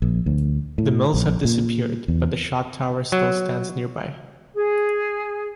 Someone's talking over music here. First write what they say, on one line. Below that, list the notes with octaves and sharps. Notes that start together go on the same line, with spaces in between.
The mills have disappeared, but the Shot Tower still stands nearby.
A#1
D2
A2
A#1
A#2
E2
F#3
G#4